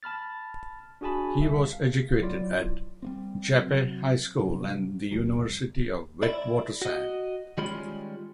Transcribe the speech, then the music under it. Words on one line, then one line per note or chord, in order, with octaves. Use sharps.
He was educated at Jeppe High School and the University of the Witwatersrand.
A5 B5 F6 A6
D4 F#4 G#4 G#5 A5 B5
C2 E5
F5
F#3 E4 F4 D5
G3 A#3 C4
C3 F#3 C4
G2 C3 F#3 D4
C#2 E3 F#3
F2 C3 G3 B3
E4 D5
F#4 D#5
D#3 G3 G#3 C#4 F4 B5